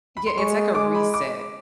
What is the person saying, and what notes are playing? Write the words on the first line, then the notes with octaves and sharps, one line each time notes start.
Yeah, it's like a reset,
B5
C6
G#3 C#6
G#3 D6
B5
D6